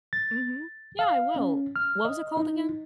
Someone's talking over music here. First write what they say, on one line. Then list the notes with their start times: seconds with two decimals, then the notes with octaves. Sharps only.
Mhm. Yeah, I will. What was it called again?
0.13 A6
0.99 F5
1.36 C#4
1.76 F6
2.05 D#5
2.37 D#4